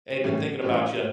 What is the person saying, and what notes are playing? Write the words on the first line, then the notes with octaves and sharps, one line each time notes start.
"Hey, been thinking about you,"
A2 E3 G3 C#4
A2 E3 G3 C#4